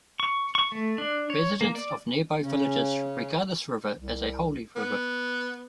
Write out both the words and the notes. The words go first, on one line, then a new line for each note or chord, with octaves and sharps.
Residents of nearby villages regard this river as a holy river.
C#6
C#6
A3
D4
C#5
A#3
D5
C#3 C#4
C2
B3